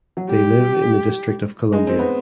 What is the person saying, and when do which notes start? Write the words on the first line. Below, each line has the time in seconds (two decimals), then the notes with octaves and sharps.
They live in the District of Columbia.
0.17 F#3
0.29 G3 G4
1.72 G#3 D#4
1.87 C4
1.99 B3